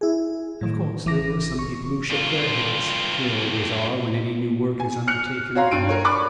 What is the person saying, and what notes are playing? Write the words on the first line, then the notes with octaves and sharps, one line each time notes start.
Of course there were some people who shook their heads; there always are when any new work is undertaken.
E4 G#4
A2 D#3
G#1 E3 D6 A#6
C#6
G2 F4
G#5
F6 F#6 C#7
F#4 C#5 F5 A#5 C6
G2 D7 D#7
A#4 C#5
D5 B5 C#6 D6 F#6